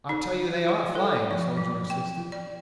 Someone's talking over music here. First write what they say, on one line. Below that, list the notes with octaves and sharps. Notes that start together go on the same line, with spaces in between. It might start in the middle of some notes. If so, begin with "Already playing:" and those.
"I tell you they ARE flying," the soldier insisted.
D#4
E4
A4
F3
F#3
G5
D5